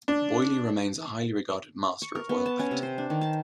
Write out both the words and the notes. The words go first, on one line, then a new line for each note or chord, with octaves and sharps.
Boilly remains a highly regarded master of oil painting.
D4
C#6
A#4
B3
A5
C#4
C3
C5
D4
D#3
A5